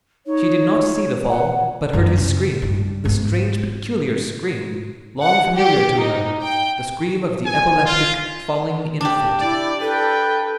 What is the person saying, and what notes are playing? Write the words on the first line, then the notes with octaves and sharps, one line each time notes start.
She did not see the fall, but heard his scream--the strange, peculiar scream, long familiar to her--the scream of the epileptic falling in a fit.
D#4 C#5
F#5
F#2 F#3
C#3
G2
G#2 B3
F#5
G4
D#4
G5
G#5
F4
D4 G4
E4 D5
A4 B4 G5